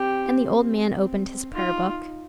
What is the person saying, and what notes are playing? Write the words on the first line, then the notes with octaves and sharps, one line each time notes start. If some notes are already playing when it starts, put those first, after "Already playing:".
And the old man opened his Prayer-Book.
Already playing: C4 G4
C4
D#4 F4